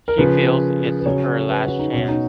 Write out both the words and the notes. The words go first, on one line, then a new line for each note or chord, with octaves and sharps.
She feels it's her last chance.
A#4
C#3 F3 B4
B4
C#3 F#3 C#5
B4
F#4
D#4
B2 F#3 C#4
D#4